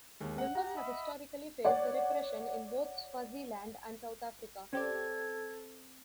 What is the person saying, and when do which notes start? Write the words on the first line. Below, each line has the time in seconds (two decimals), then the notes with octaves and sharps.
Members have historically faced repression in both Swaziland and South Africa.
0.21 D#2 G#3 A#3
0.38 F#5
0.55 G4 A#5
0.77 D#5 E5 B5
1.65 C#5 D5 F#5
4.73 C4 C#4 G4 A4 D5 G#6